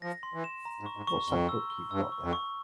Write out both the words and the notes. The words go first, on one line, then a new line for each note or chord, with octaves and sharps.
What's that book you've got there?
F3 A#6
C6
E3
E7
A#5
G#2
C#6
G#2
C#6
F2
F2 G7
E6
G7
G2 E6
C#6
F2
C#6